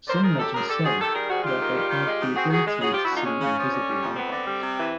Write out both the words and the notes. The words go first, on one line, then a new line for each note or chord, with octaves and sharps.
Some legends say that they had the ability to see invisible vampires.
D3 A#4 C5
F3 G#4 A#4
F#2 G4 A4
F#2 G#4 A#4
D3 G4 A4
F3 F#4 G#4
D#3 G4 A4
G3 G#4 A#4
G#2 F#4 G#4
G#2 F4 G4
D#3
G3
D#3
G#3
G#2
C4 F#4 G#4
D#3 F#4 G#4
G#3
C#3 F#4 G#4
F3 F4 G4
E4 F#4
D2 D#4 F4
G#3 C#4
C#3
F3
D3
G3
F2
B3 C4
D3
G3
C3
E3